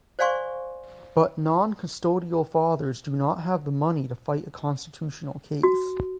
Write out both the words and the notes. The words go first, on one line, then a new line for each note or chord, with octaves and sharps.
But non-custodial fathers do not have the money to fight a constitutional case.
C5 D5 F5 G#5 C6 C#6
F#4